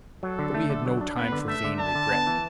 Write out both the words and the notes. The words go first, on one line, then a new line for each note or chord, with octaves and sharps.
But we had no time for vain regrets.
F#3 A4
D3
A3
D3
F#3
D4
B3 B4
D3
A3 E5
D3
D4 A5
D3
B3
E3